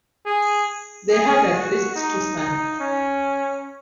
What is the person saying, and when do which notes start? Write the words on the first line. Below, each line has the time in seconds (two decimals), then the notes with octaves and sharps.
They had at least two sons.
0.26 G#4
1.11 G#4
1.53 F#4
1.95 D#4
2.37 D#4
2.80 C#4